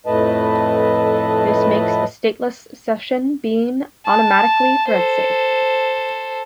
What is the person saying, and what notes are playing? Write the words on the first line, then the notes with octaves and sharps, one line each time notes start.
This makes a stateless session bean automatically thread-safe.
F2 A2 A3 B4 D#5 A5
A5
A4 C5